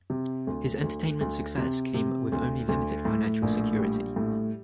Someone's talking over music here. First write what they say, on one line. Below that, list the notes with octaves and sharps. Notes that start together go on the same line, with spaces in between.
His entertainment success came with only limited financial security.
C3
D2
D2
D2
C3
C3
D2
D2
A2
A#1
G3
A2